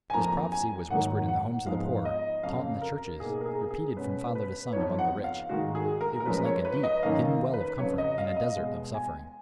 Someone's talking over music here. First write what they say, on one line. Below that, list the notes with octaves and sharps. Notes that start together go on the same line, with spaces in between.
This prophecy was whispered in the homes of the poor, taught in the churches, repeated from father to son among the rich; it was like a deep, hidden well of comfort in a desert of suffering.
G#5
F2 F3 A#3 A#5
G#5
G#2 D#3 F#3 A#3 D#4 F#5
F#5
G#2 F3 G#3 B3 D#4 F5
D#5
F2 C#3 F#3 C#4 F5
A#4
B2 A#3 D#4 G#4
A#4
G#4
G#4
B2 G#3 C#4 B4
B4
F2 F3 B3 D#4 C#5
F#5
F5
G#2 D#3 G#3 F#4
G#4
A#4
A#4
F#2 F3 G#3 B4
C#5
B4
D#5
F#2 D#3 A#3 D#4 F5
B4
F2 C#3 F#3 C#5
D#5
F5
D#5
B2 G#3 B3
G#5